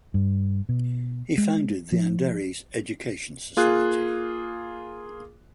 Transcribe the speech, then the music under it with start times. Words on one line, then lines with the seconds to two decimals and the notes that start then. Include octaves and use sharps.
He founded the Andheri Education Society.
0.14 G2
0.69 B2
1.38 G#3
1.92 F3
3.57 A#3 F4 G#4 F#6